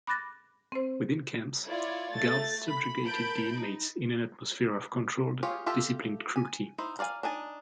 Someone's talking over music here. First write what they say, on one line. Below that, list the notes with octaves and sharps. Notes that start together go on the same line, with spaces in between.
Within camps, guards subjugated the inmates in an atmosphere of controlled, disciplined cruelty.
B5 D6 F#6 A6 A#6
C4 C5
E4 F4 C#5 D5
A3 A6
B5
A#4 A5 B5 G6 D7
D#4
F4 G4 G#4 C#5 F5
F4 G4 A4 E5 A5
G#5
D#4 E4 C5
A#4 D5 F5 G#5
D4 D#4 G#5 A5